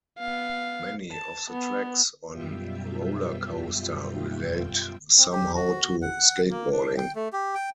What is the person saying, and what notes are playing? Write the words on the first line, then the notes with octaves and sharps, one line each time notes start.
Many of the tracks on "Roller Coaster" relate somehow to skateboarding.
B3 F5
A5
B3
F#2 B2 G3 F4 E5 G5
C4
G4
F#4
F#5
A#3
D4
G5
A3
G4
G5